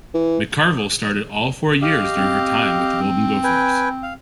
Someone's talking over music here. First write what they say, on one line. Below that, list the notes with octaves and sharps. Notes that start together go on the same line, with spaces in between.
McCarville started all four years during her time with the Golden Gophers.
E3
G4 D#5 F5
C4
B4 G5 G#5
F5